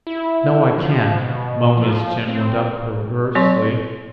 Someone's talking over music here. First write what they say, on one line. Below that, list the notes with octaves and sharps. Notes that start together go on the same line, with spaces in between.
"No, I can't." Mona's chin went up perversely.
E4
F3
B2
F3
C4
F#3 C4 C#5 C6 C#6